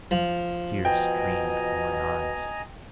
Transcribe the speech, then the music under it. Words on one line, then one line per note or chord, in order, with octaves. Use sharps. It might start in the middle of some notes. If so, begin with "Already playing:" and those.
Tears streamed from my eyes.
F3
B2 D#5 G5 G#5 A#5